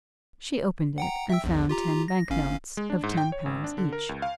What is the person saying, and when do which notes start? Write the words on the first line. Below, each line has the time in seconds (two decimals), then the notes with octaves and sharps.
She opened it, and found ten bank notes, of ten pounds each.
0.98 F#5 G5 A#5
1.29 E5 G5 E6
1.44 A#1 E2
1.69 F4 G4 A#5
2.08 A#6
2.30 G1 C#4 F5
2.77 G#3
2.90 D4
3.03 G#2
3.17 G5
3.32 C#5
3.46 G#1
3.64 D4
3.78 D3
3.93 A#4
4.09 C#2
4.22 F5